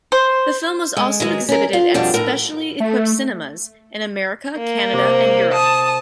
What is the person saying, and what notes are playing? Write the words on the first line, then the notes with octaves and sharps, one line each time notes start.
The film was also exhibited at specially equipped cinemas in America, Canada, and Europe.
C5
G#3
D#3 F#3 G#3
C#4 A#4
F4
F2 B2 G3 D4 A5
A2 A#4
A3
A#3
C3 D6
A5 D#6